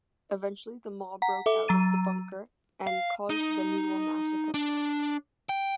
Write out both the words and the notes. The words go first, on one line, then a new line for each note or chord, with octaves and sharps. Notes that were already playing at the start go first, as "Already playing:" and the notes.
Eventually the Maw broke out of the bunker and caused the Niwa Massacre.
F#5 A#5 B6
A4 E5 D6
F#3 A#5 A6 D#7
F5
D#4
D4
G5